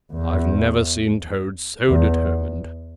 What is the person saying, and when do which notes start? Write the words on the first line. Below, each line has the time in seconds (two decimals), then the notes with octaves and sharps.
'I've never seen Toad so determined.
0.12 E2
1.89 E2